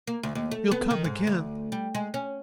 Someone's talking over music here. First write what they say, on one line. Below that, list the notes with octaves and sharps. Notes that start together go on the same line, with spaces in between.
"You'll come again?"
A#3
D2
D#2
A3
B3
D#3
G#2
D2
G3
G#3
C#4